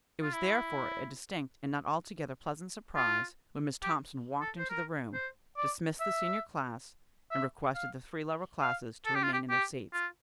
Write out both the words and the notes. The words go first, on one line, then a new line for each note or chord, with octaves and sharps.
It was therefore a distinct and not altogether pleasant surprise when Miss Thompson walked into the room, dismissed the senior class and requested the three lower classes to remain in their seats.
F4
E4
F4
G4
A4
C5
A#4
C5
D5
E5
E5
F5
F5
A4
G4
F4
G4
G4
F4